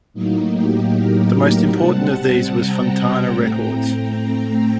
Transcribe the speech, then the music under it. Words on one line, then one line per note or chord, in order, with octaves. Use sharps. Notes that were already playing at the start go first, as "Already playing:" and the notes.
The most important of these was Fontana Records.
A2 F#3 A#3 D#4
D#4 G4
G4 A#4
C3 G3 C4 F#5 A5
G5 A#5
A2 A3 C4